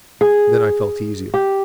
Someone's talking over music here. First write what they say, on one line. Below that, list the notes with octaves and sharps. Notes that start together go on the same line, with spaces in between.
Then I felt easier.
G#4
G4